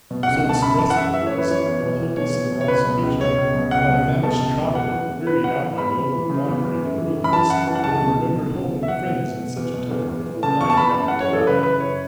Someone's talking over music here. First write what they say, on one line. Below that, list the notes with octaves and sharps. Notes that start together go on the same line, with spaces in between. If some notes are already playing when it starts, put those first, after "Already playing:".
So expressive it was, of a hopeless and lost creature, that a famished traveller, wearied out by lonely wandering in a wilderness, would have remembered home and friends in such a tone before lying down to die.
B2
F#5
C#2
F#5
B2 A5
F#2 B5
E3 A5
F#5
F#2 E5
E3 E5
F#2 C#5
B4
E3 C#5
E2
B2
E2
B2 C#5
E2
B2
C#5
C#2 B4
B2
C#2
B2 C#5
C#2
B2
C#2 F#5
B2
C#2
B2 A5
C#2
B2
E2 F#5
E3
E2
E3 B4
E2 F#5
E3
E2 B5
E2
E3
C#3
E2
E2
F#2
E3
F#2
B5
E3 A5
F#2 F#5
E3 A5
F#5
C#2 A5
B2
C#2
B2
C#2
B2
E5
E2 F#5
B2
E2
B2
E2
B2
E2
E2
E3
C#3 A5
E2 C#6
A5
E2 B5
F#2 A5
F#5
F#2
C#5
E3 A4
C#3 B4
F#2 B4
F#2 C#5